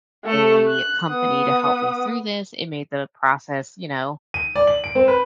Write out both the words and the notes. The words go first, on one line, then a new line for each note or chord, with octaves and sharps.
a company to help me through this, it made the process, you know,
A3 A4
F#6
B3 D#6
D#7
D5
F#7
D7
C4
B4